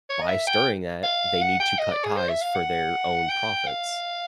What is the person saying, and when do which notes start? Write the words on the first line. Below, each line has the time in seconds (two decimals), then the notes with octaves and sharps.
by stirring that, they need to cut ties for their own profits,
0.10 C#5
0.22 D#5
0.28 E5
0.47 G5
1.03 F5
1.42 F#5
1.60 G5
1.79 D#5
1.92 D5
2.04 G#4
2.17 C5
2.29 E5
2.42 F5
2.55 F#5
3.29 G5
3.67 F5